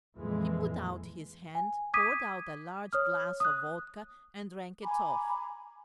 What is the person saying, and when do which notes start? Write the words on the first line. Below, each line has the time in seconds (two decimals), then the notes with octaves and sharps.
He put out his hand, poured out a large glass of vodka and drank it off.
0.15 F2 A#2 E3 G#3
1.55 G#5
1.94 D6 D#6 G#6 B6 D#7
2.93 C#5 D#6 F6
3.40 D#6 F#6
4.83 G#5 A#5 B5 D6